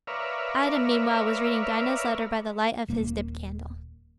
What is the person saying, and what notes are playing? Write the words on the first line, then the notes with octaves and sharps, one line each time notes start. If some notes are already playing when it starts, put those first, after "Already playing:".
Adam, meanwhile, was reading Dinah's letter by the light of his dip candle.
A#4 B4 C#5 D5 E5 F5
D#1 A#3